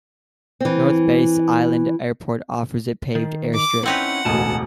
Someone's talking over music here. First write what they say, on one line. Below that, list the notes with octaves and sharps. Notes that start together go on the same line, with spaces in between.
North Bass Island Airport offers a paved airstrip.
E3 C4
D#3
D6
C4 C#4 D#4 E4 B4 F#5
E1 A1 D2 G#5 A5